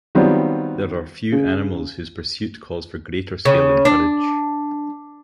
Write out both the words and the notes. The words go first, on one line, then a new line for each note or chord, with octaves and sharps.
There are few animals whose pursuit calls for greater skill and courage.
D#3 F#3 G3 B3 C4 F4
C#3
C#3
D4